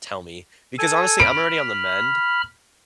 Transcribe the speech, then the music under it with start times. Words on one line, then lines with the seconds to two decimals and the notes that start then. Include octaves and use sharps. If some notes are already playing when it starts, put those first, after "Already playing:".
tell me. Because, honestly, I'm already on the mend.
0.78 A4 G#5
1.20 B5 F6 D7